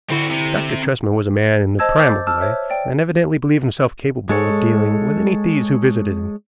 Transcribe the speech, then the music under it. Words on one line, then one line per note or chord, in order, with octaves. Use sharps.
Dr. Tresman was a man in the prime of life, and evidently believed himself capable of dealing with any thieves who visited him.
D3 C4 E4 F#4
C3
C5 D#5 A5 E6 G#6
D6 G6 A6
A5 E6 F6
C5 C#5 E5
D5 G5
G#3 A4 C#5